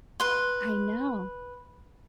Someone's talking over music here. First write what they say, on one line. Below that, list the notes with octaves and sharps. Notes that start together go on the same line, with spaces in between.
I know.
B4 C6